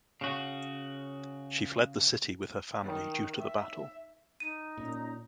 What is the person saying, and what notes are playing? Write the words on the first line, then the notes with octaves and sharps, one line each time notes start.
She fled the city with her family due to the battle.
C#3 F#4
D#3
E5
D#4 D#7
A#2 C#4 A#5